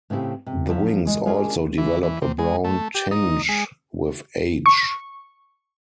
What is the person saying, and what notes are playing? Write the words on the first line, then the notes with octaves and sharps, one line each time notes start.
The wings also develop a brown tinge with age.
A2 C#3 C4 E4 G4
C3
F3 F#3 C#4 E4 E5
G#3
G#3 C#4 D4 F4 G#4 A#4
E3
E3
C3
G#3
A3
G4
D#4
G#3
C#6